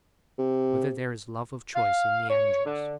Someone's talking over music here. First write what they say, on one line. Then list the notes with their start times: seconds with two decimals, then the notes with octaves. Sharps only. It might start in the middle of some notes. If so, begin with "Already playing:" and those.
Whether There Is Love of Choice in the Angels?
0.38 C3
1.76 F5
2.29 C#5
2.65 D3